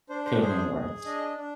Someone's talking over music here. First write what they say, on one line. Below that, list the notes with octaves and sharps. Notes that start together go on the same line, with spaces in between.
could have been worse.
D4 C5
C5
G#4 C5
G#4
D4 D#5
D4